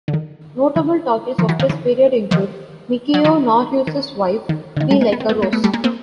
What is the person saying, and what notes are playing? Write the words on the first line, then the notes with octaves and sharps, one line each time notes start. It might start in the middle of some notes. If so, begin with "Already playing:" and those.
Notable talkies of this period include Mikio Naruse's Wife, Be Like A Rose!
D3
D#3
D3 E3
D#3 F3
E3 F#3
D#3 F3
D3 E3
D#3 F3
F#3
D#3 F3
D#3
D#3
D3
D#3
G3 A3
G#3 A#3
B3
C4
A3 B3
G#3 A#3
A3 B3
G3 A3
G#3 A#3
A#3 C4